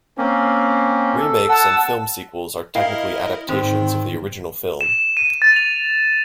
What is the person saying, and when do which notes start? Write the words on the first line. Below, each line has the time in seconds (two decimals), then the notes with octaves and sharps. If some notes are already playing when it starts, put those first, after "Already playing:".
Remakes and film sequels are technically adaptations of the original film.
0.18 A#3 C4 C#4
1.18 A4
1.49 F#5 A5 E6
2.75 E4 A#4 D#5 F5 G5
3.49 G#2 D3 D#3 C4 D#4
4.81 E7
5.17 D#7
5.42 A6
5.56 F7